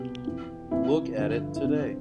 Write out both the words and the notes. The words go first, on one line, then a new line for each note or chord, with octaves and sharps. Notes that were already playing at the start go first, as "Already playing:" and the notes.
Look at it today.
Already playing: C2 B2 G4
F2 E3
C2 C3 E3 E4
G2 D3 F3
E4
F2 C3 E3 D4
C4